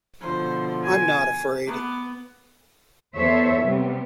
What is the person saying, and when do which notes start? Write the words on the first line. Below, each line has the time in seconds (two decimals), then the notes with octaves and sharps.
I'm not afraid.
0.21 B2 D3 F3 C5
0.82 G#5
1.67 B3 D6
3.15 E2 A4 C5 C#5 E5
3.61 C3 G3 B3